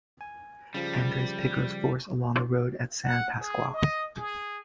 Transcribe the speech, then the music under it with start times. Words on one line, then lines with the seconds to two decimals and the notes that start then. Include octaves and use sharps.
Andres Pico's force along the road at San Pasqual.
0.21 G#5
0.74 C#3 F3 G3
3.04 F#5
3.40 G#4
3.74 D#5
4.17 G#4